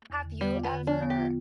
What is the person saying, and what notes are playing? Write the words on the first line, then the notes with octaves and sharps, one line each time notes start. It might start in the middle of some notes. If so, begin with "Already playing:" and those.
Have you ever
E2
D3
G3 B3
F4
B3
D3
F3 D4
B3
G4
F4